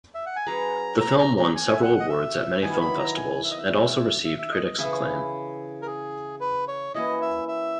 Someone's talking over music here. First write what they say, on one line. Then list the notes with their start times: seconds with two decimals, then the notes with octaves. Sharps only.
The film won several awards at many film festivals and also received critics acclaim.
0.15 E5
0.26 F#5
0.36 G#5
0.46 F#3 C#4 G#4 B4 A#5
1.01 A#5
1.19 A#5
1.37 A#5
1.55 G#5
1.73 E5
1.82 F#5
2.00 D#5
2.09 E5
2.62 D#3 F#3 B3 E4 G#5
2.81 B5
2.99 A#5
3.17 G#5
3.44 E5
3.51 D#5
3.58 E5
4.25 E5
4.38 E5
4.51 D#5
4.65 D#5
4.78 C#3 E3 B3 E4
5.82 A#4
5.87 G#4
6.40 B4
6.68 C#5
6.94 E3 A#3 C#4 F#4 D#5
7.22 E5
7.48 E5